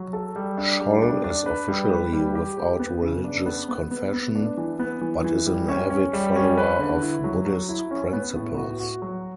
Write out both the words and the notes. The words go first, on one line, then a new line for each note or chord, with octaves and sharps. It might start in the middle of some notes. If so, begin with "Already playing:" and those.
Scholl is officially without religious confession, but is an avid follower of Buddhist principles.
Already playing: F#3
A4
G3
D4
G3
D4
D4
B4
G3
B4
G3
G4
G4
B3
C#3
D4
B3
B3
B3
B3
D4
E3
B3
E3
E3
G3
C#4
C#4
G3
C#4
B4
D3
E4
F#3
F#3
E4
C#4
B3
A2
F#4
F#4
F#3